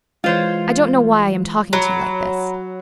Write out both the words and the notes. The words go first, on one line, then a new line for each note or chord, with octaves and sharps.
"I don't know why I am talking to you like this."
E3 G#3 F4 C5 C#5
F#3 A#5 B5